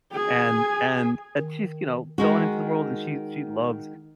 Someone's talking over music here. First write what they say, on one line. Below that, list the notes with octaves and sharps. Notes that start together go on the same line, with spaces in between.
And and and she's, you know, going into the world, and she she loves
G#4 G#5
D#3
D#3 G#3 F#4